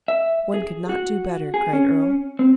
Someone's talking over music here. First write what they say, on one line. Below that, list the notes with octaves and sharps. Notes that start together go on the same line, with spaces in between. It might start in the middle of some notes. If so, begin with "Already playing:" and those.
"One could not do better," cried Earle.
E5
G#4
F#4
G#4
C#4
C4